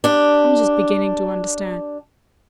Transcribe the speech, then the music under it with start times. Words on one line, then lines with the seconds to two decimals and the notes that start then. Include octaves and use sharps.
I am just beginning to understand.
0.04 D4 G4